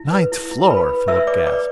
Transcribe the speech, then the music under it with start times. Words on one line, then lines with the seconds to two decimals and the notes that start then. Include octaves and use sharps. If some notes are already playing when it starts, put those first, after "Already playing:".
"Ninth floor!" Philip gasped.
Already playing: E4
0.12 B4
0.32 E4
0.51 E4
0.70 B4 B5
0.89 B4
1.08 B4 E5 E6
1.27 B4 D5 D6
1.46 B4 D5 D6